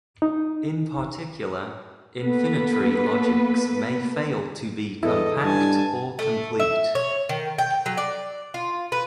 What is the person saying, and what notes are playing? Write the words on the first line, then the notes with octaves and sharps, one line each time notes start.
In particular, infinitary logics may fail to be compact or complete.
D#4
A#3 B3 A4 B4
E2 E4 A4 D#5
G2 G#5 A5
A3
E5
C#5
D#3
G5
F#3
D5
F4
B4